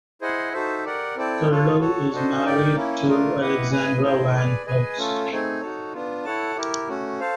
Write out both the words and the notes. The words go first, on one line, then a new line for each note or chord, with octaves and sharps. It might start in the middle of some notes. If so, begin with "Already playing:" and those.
Terlouw is married to Alexandra van Hulst.
E4 G#4 C5 D#5 F#5
D#4 F#4 A4 C5 E5
G4 A#4 D5 F#5
C4 E4 A4 D5 G5
F4 A4 C#5
F#4 A4 C#5
D4 F#4 A4 C5 D#5
D#4 G4 A#4 D5 G5
A#3 C#4 E4
A3 D4 F4 A#4
E4 G4 B4 D#5 F#5
G#4 B4 D#5 G#5
E4 A4 C5 D#5 G5
G#4 B4 D5
G#4 B4 D#5 G#5
A3 C#4 F4 A4
A3 C4 D#4 G#4
D#4 F#4 A4 C#5
B3 D4 F4
E4 A4 C#5 F#5 A5
E4 G4 A#4
A3 C#4 F#4
A4 C5 F5